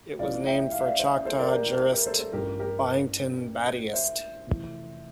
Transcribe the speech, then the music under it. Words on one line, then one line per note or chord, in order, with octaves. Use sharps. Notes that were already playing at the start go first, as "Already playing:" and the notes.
It was named for Choctaw jurist Byington Battiest.
A1 A2 F3 D5 F5
E5 G5
F5
E5
D5 F5
C5 E5
A4 C5
A#4 D5
G4 A#4
G4
G4
G4 A#4
A4 C5
A4 C5
A1 G2 F3 G4 A#4
G4 A#4
C5 E5
F1 F2 E3